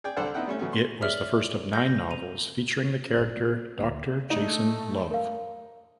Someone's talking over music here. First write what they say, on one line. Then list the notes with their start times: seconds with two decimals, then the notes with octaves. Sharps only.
It was the first of nine novels featuring the character Doctor Jason Love.
0.04 G#4 D5 G5
0.17 C2 D3 A4 C5 D5 F#5
0.34 B3 C4 D#4 E4 F#5 G5
0.47 G3 A3 C#4
0.59 C#3 F#3 A3 B3 C#4
0.73 C6
1.01 G#4 C#5 D5 E5 F6
1.18 F#7
1.73 G6 A#6
2.11 D#7 F7
3.17 G1 A#2
3.37 A#3
3.79 D2 A#3
4.30 A3 D4 D#4
5.11 A#4 F5